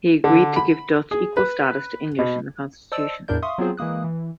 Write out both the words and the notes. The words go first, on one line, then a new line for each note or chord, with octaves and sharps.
He agreed to give Dutch equal status to English in the constitution.
D3
B5
G#4
B4
B2
C5 D5 D#5 A5 E6
E2 A2 D4 A#4 D5 G6
E5 F5 C6 C#6 D#6
F#3 B3 C4 F4 G#4 C5
E3 G#3 A#3 D#6 F#6
E3